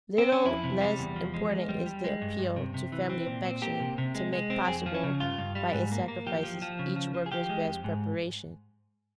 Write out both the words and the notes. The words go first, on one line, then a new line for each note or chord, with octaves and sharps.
Little less important is the appeal to family affection to make possible by its sacrifices each worker's best preparation.
C4
C#4
F2 E4
C3
G3
E2
F3
G#3
E2
G3
G3
G#3
G2
G2
C3
C3
E3
C4
A#2
C4
A#3 G4
C3
C3
G#3
G#3
C4
F2 G#4
F3
C#4
C#3
G2 F4
G2
G3
G#2
A#3
A#3
F3 G4
F3
F3
C#3
F3
F3
G#4
F3 G4
G#3
F2
G#2